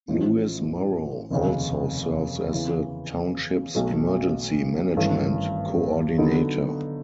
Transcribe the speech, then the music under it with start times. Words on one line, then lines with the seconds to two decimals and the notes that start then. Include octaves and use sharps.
Lewis Morrow also serves as the township's emergency management coordinator.
0.08 A1 A2 F3
1.30 F1 D#2 C#3
2.53 E2 C#3 E3
3.75 B1 B2 F#3 A3
4.97 G#1 G2 E3 A3 C#4
6.18 D3 F#3 B3 D#4